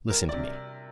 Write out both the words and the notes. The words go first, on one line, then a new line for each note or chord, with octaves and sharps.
Listen to me.
G3 A#4
C3 D5